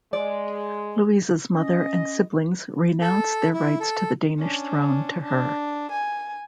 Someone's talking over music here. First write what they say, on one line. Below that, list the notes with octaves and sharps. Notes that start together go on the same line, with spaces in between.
Louise's mother and siblings renounced their rights to the Danish throne to her.
G#3 D5
C#4 D#5
A4
E4
A4
C#4 D4
D4
G#5